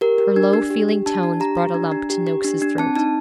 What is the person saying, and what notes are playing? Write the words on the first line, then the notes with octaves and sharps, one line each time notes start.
Her low, feeling tones brought a lump to Noakes's throat.
G4 A#4
G4
D4
D4
G4
G4
D4 A5
D4
G4 A#5
G4
D4
D4
G4
G4
D4
D4
C4 A5
D#4 A5